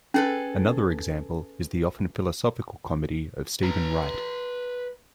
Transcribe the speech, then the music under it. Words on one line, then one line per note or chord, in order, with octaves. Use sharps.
Another example is the often-philosophical comedy of Steven Wright.
C#4 G#4 A4 B4
B4 A#5